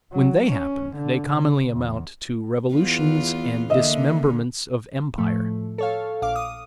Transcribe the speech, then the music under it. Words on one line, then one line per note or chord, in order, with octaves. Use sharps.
When they happen, they commonly amount to revolutions and dismemberments of empire.
F#3
C#4
D3
C#3
E2
E2 B3 F4
D3 A#3 D#5 E5
A2 F3 A3
A4 C#5 F5
A#1 F5 D6
D#6